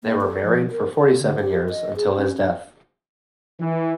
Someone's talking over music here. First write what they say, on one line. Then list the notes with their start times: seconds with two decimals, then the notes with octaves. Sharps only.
They were married for forty-seven years, until his death.
0.04 A#3
0.21 A4
0.44 F3
0.70 A#4
0.95 A4
1.19 D3
1.40 G4
1.70 D#5
1.96 G#4
2.17 C#4
2.38 D4
3.60 E3